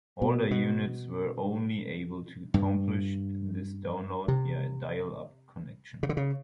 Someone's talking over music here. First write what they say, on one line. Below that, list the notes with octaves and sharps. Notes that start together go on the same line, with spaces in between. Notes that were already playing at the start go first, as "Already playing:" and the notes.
Older units were only able to accomplish this download via a dial-up connection.
B2
B2
G2
C3
C#3
D3
C#3